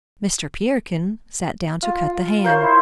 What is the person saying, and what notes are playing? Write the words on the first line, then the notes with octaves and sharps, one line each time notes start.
Mr. Peterkin sat down to cut the ham.
F4
A#4 C5 C#5 F5
E4 C6